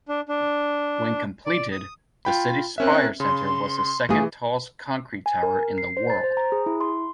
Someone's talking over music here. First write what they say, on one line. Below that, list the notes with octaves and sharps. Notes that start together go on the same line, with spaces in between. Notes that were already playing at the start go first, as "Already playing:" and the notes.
When completed, the CitySpire Center was the second tallest concrete tower in the world.
D4
D4
D5
D#6
F4 G5 B5
C4 C#4 A#4 E5 F#6
C#3 C6
E3 A3 F4 G#4
G#5
A#4
C7
C5
A6
C5
A#5
G#4
E4
C6